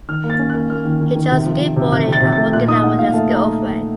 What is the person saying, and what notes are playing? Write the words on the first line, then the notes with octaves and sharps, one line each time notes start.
He enjoys skateboarding and working out with his girlfriend.
D#3 F6
A#3
A6
C#4
A#3 F#6
A#3 F6
D#3
D#3
D#3
C3
F3
F3
C3
C3 F#6
C3 A6
C3
A6
A3
A#2 F#6
D#4 D#6
D#4 F#5
A#2 F5
A3 A5
D#4
A#5